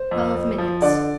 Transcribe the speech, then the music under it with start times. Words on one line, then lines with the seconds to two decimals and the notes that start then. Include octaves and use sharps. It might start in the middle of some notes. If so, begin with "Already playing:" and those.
Twelve minutes.
Already playing: C5
0.11 F2
0.35 F2
0.58 F3
0.82 D3 D5